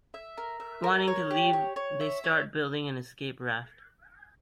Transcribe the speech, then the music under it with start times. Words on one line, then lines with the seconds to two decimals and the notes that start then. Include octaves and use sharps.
Wanting to leave, they start building an escape raft.
0.14 E5
0.38 A#4
0.60 E5
0.84 A#4
1.08 C#5
1.31 G4
1.53 C#5
1.76 C#5
2.01 E5
2.24 C#5